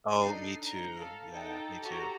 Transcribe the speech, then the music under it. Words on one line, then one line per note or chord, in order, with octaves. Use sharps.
Oh, me too. Yeah, me too.
D4 D#4 A4 C7
A#5
A4 F5
D#4 A4 G5
F#4 G4 A4 A#5